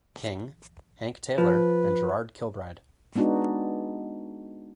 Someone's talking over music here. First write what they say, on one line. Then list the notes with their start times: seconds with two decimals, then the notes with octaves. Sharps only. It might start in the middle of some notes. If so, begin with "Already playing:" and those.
King, Hank Taylor and Gerard Kilbride.
1.38 F3 B4
3.16 G#3 B3 D4 D#4 F#4